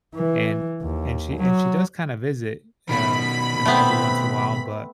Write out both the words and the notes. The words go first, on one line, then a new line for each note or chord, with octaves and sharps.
And and she and she does kinda visit, oh, you know, every once in a while, but,
E3
D#2
F#3
B2 D#3 B5
A3 B3 C4